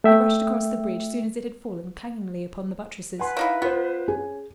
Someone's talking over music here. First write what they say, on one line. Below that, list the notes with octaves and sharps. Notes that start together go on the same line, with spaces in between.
He rushed across the bridge soon as it had fallen, clangingly, upon the buttresses.
A3 E5 G5
B4 F#5 G#5 C6
A#3 D#4 E4
B3 F4 C5
C#4 G#4 G#5